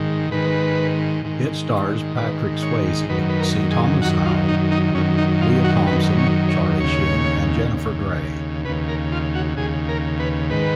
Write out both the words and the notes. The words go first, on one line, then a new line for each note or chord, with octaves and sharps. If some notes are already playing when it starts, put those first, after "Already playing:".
It stars Patrick Swayze, C. Thomas Howell, Lea Thompson, Charlie Sheen, and Jennifer Grey.
Already playing: G#2 D#3
G#2 D#3 B4
G#2 D#3
G#2 D#3 B4
C#5
F#2 D#3 B4
B4
A#4
G#4
F#2 D#3 F#4
F4
D#4
D#4
F#2 D#3 C#4
D#4
F4
F#4
F#2 D#3 B4
C#5
C#5
D#2 C#3 C#5
D#2 C#3
D#2 C#3 B4
A#4
F4
F#4
D#2 C#3 G#4
A#4
B4
G#2 D#3 B4